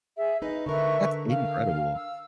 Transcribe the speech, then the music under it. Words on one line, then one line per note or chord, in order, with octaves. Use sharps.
That's incredible.
G#4 E5
D#4 B4 D#5
D3 A#4 B4 E5 C#6
F5
E6